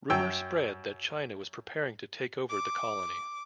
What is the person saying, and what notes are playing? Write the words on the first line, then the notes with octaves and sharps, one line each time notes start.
Rumors spread that China was preparing to take over the colony.
F#2 G5 E6
D6